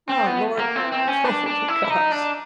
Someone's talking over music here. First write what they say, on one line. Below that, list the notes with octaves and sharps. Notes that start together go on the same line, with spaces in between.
Oh lord no. Oh, gosh.
C4
B3
A#3
C4
C4
C#4
D4
D4
E4
E4
D#4
D4